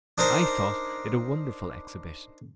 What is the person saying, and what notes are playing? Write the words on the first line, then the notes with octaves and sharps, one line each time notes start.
I thought it a wonderful exhibition.
D4 D#4 A#4 C5